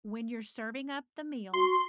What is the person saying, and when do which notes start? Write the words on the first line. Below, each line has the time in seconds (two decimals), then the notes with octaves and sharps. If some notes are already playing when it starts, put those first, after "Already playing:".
when you're serving up the meal,
1.54 F#4 C6